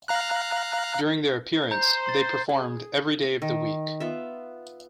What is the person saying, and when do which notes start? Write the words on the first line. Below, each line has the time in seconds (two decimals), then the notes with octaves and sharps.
During their appearance, they performed "Every Day of the Week".
0.08 F5 A#5 F#6
1.71 C5 A#5 G6
2.06 C6 A6
2.49 G#4
3.42 D#3
4.00 B3 F4 E5